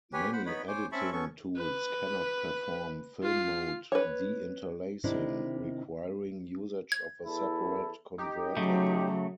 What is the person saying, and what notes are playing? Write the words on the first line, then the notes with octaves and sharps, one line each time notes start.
Many editing tools cannot perform film-mode deinterlacing, requiring usage of a separate converter.
G4 B4 C#5 G#5
C5 F#5 B5
B3 D#4 B4 C#5 B5
C5 C#5 G#5 D6
C4 C#4 E5 A5 B5 C#6
B3 C#4 A4 C#6
B4
F4 C7
B4 C#5
C3 D#3 C4 D4 E4
G#6
E2 E4 A4
D#4 G4
C#3 F#3 A3